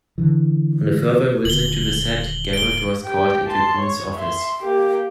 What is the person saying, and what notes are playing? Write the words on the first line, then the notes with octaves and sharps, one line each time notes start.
On a further visit to the set, Gerrold was called into Coon's office.
D3 E3
D#1 D3 F#7 G7
D7 G7
G4 G5
A5 C6
C#5
E5 C6
A#3 G4